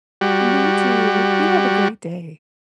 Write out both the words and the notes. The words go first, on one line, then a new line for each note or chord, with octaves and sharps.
Me too, you have a great day.
G3 F#4